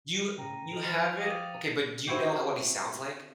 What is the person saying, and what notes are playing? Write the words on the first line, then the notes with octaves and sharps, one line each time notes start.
You you haven't? Okay, but do you know how what he sounds like?
D#7
A2 C#3 G5 A#5 A#6
A4 D#5 F7 F#7
F3 C5 A5 F6 A6 C#7
F5 G5 D6 D#6 D#7
C4 E4 F#4 G4